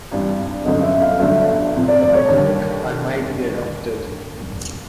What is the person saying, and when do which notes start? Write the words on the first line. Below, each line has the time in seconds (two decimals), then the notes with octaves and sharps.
I think I might be adopted.
0.11 G#1 G2 E3 G3
0.65 G1 F#2 D3 F#3 D#5
0.83 E5
1.02 F5
1.20 G1 G2 D3 F#3 A3 E5
1.75 F2 C3 F3
1.88 D5
2.02 D5
2.15 C#5
2.28 D#2 D3 G3